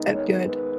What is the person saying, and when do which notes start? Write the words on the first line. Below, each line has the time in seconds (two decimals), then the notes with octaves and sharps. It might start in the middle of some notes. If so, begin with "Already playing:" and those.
That good.
Already playing: D#3 G#3 B3 D#4
0.14 C#5
0.43 B4